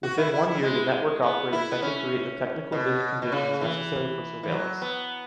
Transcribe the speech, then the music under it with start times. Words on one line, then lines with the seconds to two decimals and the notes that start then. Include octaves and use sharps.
Within one year the network operators had to create the technical conditions necessary for surveillance.
0.03 F#4
0.18 E4
0.34 E4
0.48 E4
0.63 G#3
1.22 B3
1.53 E4
1.71 B3
1.82 C#4
2.72 B2
3.22 B2
3.32 C#3
3.61 E3
4.43 E3
4.51 F#3
4.82 B3